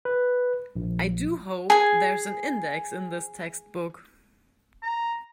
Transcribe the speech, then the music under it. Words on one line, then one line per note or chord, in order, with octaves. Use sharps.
I do hope there's an index in this textbook.
B4
A#1
G#4 G#5
A#5